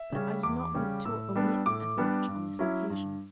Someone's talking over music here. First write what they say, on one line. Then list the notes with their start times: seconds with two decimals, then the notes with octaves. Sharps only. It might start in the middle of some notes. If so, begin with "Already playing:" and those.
But I did not want to omit as much on this occasion.
Already playing: E5
0.12 C#3 G3 C#4
0.43 E2 D6
0.74 C#3 G3 C#4
1.05 A2 E6
1.35 G3 B3 D4
1.66 A2 D6
1.98 G3 B3 D4
2.28 G2
2.59 F#3 C#4 E4
2.90 G2